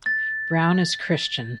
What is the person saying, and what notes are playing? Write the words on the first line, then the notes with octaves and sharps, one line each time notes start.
Brown is Christian.
A6